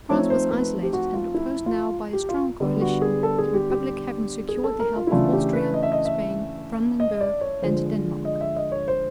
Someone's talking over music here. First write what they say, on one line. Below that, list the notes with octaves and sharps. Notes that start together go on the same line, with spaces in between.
France was isolated and opposed now by a strong coalition, the Republic having secured the help of Austria, Spain, Brandenburg and Denmark.
F3 A3 C4 D#4 C#5
C5
B4
G4
F#4
F4
E4
F4
G4
F4
D3 G3 B3
F#4
G#4
A4
G#4
G4
G4
G#4
A4
A#4
F4
E4
C#3 E3 A3 D4 F4
G4
B4
D#5
E5
D#5
E5
D#5
D5
C#5
D3 F3 G#3 C5
D#5
E5
D#5
C#5
C5